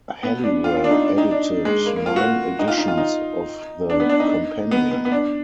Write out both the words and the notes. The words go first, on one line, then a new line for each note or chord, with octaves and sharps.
Halliwell edited nine editions of the "Companion".
B3
D4
F4
F4
D4
D#4
D4
D#4
D4
G#3
A#3
A#3
F4
F#4
D#4
F4
D#4
F4
D#4
D4
B3
D4
D#4
B3
B3
B3
D4